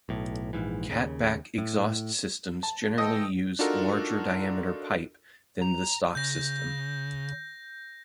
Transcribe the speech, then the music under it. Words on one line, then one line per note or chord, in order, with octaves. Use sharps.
Cat-back exhaust systems generally use larger diameter pipe than the stock system.
B1 A2
A#1 G#2 E3
D#2 C#3
A2
A5
E3 A4 D#5 G5
D4 D#4 F4 F#4 A4 A#4
A#5
C#3 G6 A#6